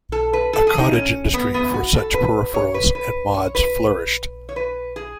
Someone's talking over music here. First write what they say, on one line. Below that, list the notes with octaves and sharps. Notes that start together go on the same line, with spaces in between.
A cottage industry for such peripherals and mods flourished.
A4
B4
A4
G#4
D#4
C#4
B3
B3
F#4
A4
B4
C#5
B4
B4
C#5
B4
C#5
B4
G#4